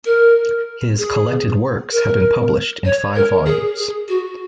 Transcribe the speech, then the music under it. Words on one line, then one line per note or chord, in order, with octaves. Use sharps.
His "Collected Works" have been published, in five volumes.
A#4
G#4
A#4
C#5
A#4
G#4
G#4
F#4